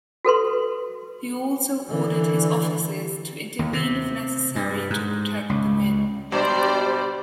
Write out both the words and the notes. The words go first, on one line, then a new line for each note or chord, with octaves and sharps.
He also ordered his officers to intervene if necessary to protect the men.
F#4 A4 B4 C6
D3 E3
D#2
C3
G2
G#2
C#2
G2 B2 G3 G4 C5 D5